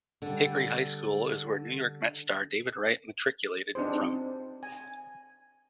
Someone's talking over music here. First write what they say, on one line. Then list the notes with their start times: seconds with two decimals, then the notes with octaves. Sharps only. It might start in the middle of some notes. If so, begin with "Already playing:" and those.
Hickory High School is where New York Mets star David Wright matriculated from.
0.22 D3 G3
3.75 C4 D4 D#4 G#4 C5
4.63 G#5